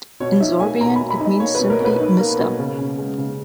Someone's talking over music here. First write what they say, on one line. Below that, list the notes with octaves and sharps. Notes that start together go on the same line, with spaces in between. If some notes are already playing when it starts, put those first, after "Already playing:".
In Sorbian it means simply "Mister".
B2 C#5
D#4 E5
A#3 G#5
B2 A#5
B5
B2
B5
D#4
D#5
A#3 C#5
B4
B2
A#4
B2 B4
D#4
A#3 A#4
B2 A#4
C#3
C#4
G#3
C#3